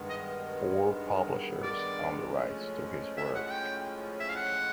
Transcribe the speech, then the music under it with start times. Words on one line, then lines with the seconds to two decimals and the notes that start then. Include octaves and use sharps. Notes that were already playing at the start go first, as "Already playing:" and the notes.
Four publishers own the rights to his work.
Already playing: G2 D#3 G#3 B3
0.10 D#5
1.63 D5
2.32 A2 F3 G#3 C#4
3.17 E5
3.35 F#5
3.46 F#5
3.51 G5
4.20 E5
4.29 F5
4.36 F#5